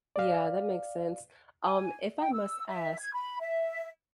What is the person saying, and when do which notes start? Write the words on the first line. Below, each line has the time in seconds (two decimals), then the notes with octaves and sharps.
Yeah, that makes sense. Um, if I must ask,
0.16 D5 F5
1.62 G#5
2.20 G5
2.33 E6
2.68 E5
2.99 G#6
3.13 B5
3.40 E5